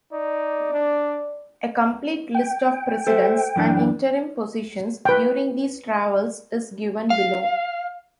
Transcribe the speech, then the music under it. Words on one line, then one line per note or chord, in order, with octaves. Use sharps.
A complete list of presidents, and interim positions during these travels, is given below.
D#4 D5
D4
G5
A4 C5 E5
F#2 E3 D4
B4 G5
F5